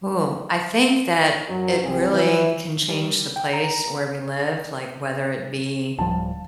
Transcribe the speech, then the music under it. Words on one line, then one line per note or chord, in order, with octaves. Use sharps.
Ooh, I think that it really can change the place where we live, like, whether it be
F#2 F#3
C2 C4 G#4
E3
G3
G5
A#5
D1 F3 G3 A5